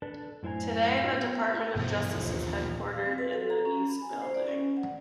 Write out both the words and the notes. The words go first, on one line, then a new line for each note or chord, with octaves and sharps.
Today the Department of Justice is headquartered in the East Building.
D4 A4 B4
F#2 A2 E4 C5 G#5 A#5
A3 C#4 D#4 F4 F#4
B3
B1 G2 B2 E3 F3
A#1 D#2
F5
C4
B4
A4
A#5
C#4
B5
G#5
C5
D5
C#4
F#5